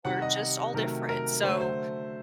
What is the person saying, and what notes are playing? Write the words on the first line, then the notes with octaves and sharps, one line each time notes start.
we're just all different, so
C3 D#3 G3 F#5
D#5
C3 D#3 F#3 A3 A#4
A#4
D3 F#3 A3 C5
C5